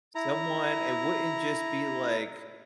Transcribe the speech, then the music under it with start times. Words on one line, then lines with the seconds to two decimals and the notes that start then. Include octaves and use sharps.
Someone it wouldn't just be like,
0.15 E4 A#5